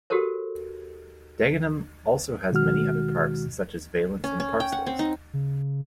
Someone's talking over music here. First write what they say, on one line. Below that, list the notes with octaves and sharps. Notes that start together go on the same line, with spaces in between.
Dagenham also has many other parks such as Valence and Parsloes.
F#4 G4 A4 A#4 C5
B2 D#3 G#3 F#4 F6
C#4
C#4
G5
F#5
C4
D#4
C#3